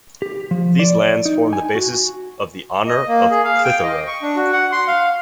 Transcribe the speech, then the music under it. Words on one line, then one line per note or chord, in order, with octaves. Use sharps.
These lands formed the basis of the Honour of Clitheroe.
G4
F3
D5
D#4
G#5
F#4
D#5
A#3
G#4
F5
G5
D#5
C#6
D4
F#4
F#5
C6
F5